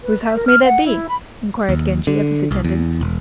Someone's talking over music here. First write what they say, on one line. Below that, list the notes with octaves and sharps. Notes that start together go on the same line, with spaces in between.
"Whose house may that be?" inquired Genji of his attendants.
B4
E5
A#4
F6
F#5
E4
B5
D#2
D3
C2
E2
E1